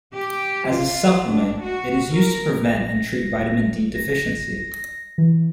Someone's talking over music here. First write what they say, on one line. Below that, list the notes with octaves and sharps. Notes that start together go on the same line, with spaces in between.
As a supplement it is used to prevent and treat vitamin D deficiency.
G4
F4
D4
F#4
A#4
A#6
A#6
E3